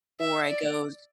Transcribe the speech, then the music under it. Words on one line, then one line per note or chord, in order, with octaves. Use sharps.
Or I go s
E5
D5